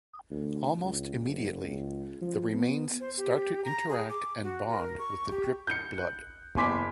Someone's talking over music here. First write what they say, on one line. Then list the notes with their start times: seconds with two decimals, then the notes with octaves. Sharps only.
Almost immediately, the remains start to interact and bond with the dripped blood.
0.30 D2
0.79 C#2
1.24 F#1
1.64 C#2
2.21 F3
2.53 B3
3.00 C5
3.17 G4
3.64 A#5
3.89 G#4
4.09 D6
4.43 F#4
4.69 A#4
4.99 C#6
5.31 G4
5.67 G6 C#7
5.98 F#6
6.56 F#1 E2 G#5 C6 D6 B6